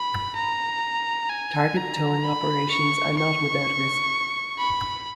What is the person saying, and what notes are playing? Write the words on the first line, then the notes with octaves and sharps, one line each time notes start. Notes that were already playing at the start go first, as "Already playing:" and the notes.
Target towing operations are not without risk.
Already playing: B5
A#5
G#5
A#5
B5
C#6
C#6
B5